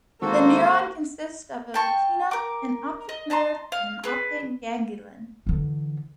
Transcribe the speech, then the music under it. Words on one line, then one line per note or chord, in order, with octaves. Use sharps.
The neuron consists of a retina, an optic nerve, and an optic ganglion.
D#3 G#3 A#3 C4 F#4 A4 C5
G5 A5 C#6
A#4 D6
D#5
D#5 A5 A#5 C6
F5
G#4 B4
D3 E3